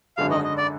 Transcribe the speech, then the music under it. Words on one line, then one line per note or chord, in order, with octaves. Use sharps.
while I walk.
G#1 F#2 D3 G#3 F5
D#5
D#5
D5